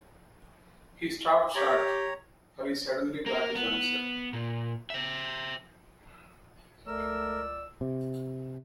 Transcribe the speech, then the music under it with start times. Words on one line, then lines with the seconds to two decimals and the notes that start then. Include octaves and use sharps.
He stopped short, for he suddenly got his answer.
1.55 G4 C#5 A#5
3.26 A#3 A#4
3.55 B3
4.33 A#2
4.90 C5 E5
6.87 C#2 A3 A#4 D5 E6
7.81 C3